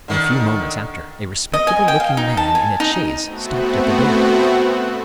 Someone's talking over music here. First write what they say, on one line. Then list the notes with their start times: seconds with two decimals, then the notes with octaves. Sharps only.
In a few moments after, a respectable-looking man in a chaise stopped at the door.
0.08 D3 D#3
1.53 D#5
1.67 G#5
1.88 G5
2.00 F5
2.17 D#4
2.37 A5
2.55 G#5
2.80 D#4
3.23 A3 B3 C4 F#4